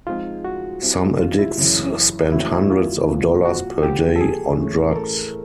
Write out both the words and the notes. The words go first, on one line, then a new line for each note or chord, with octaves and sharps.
Some addicts spend hundreds of dollars per day on drugs.
F3 G#3 C4 D#4 F4 G#4
F#4
G3 C4 E4
F4
E4
F#2 C#3 E3
F2 C#3 F#3 A3 E4
E4
F4
C2 A#2 F3
F#4
D3 F3 A#3 G4
A4
G#4
A2 E3 A3 C#4
A#4
A4